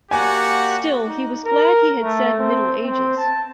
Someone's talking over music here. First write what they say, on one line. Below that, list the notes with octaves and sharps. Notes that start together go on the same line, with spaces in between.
Still, he was glad he had said "Middle Ages."
A#3 F#4 G4 D5 F#5 G#5
D#4
A#4
A3
C4
C4
A5